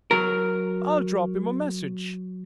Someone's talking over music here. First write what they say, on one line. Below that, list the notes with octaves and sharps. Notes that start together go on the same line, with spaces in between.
"I'll drop him a message!"
F#3 A#4